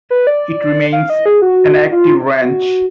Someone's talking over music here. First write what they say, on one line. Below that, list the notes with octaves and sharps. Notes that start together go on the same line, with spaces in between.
It remains an active ranch.
B4
D5
F5
D#5
G#4
F#4
F4
F#4